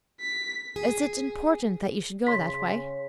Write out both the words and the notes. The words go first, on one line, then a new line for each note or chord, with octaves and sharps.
"Is it important that you should go that way?"
B6
G#4
C#3 C6 B6